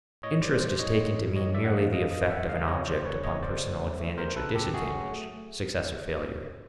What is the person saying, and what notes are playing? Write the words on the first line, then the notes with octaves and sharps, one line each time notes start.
Interest is taken to mean merely the effect of an object upon personal advantage or disadvantage, success or failure.
A2 C#5 D#5
G3 C5 D5
A2 C5 D5
A2 C#5 D#5
A2
E3
G3 C#5 D#5
A2 D5 E5
F#5
E3 D#5 F5
E3 D#5 F5
A2 D#5 F5
G3 E5 F#5
C#3 D#5 F5
E5
C#3 C#5 D#5
F#3 C5 D5
C#3 B4 C#5
A3 C#5 D#5
C#3 C5 D5
F#3
A3
A3
A3 A#4 C5
C#3 A4 B4
C#3 G4 A4
A3 F#4 G#4
F#3
A3